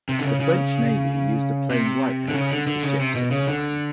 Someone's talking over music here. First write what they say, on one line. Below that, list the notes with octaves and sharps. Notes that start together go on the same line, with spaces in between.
The French Navy used a plain white ensign for ships of the line.
C3
D3
C#3
C#3
C3
D3
C#3
D3
D3
C#3
C3
B2
C#3
D3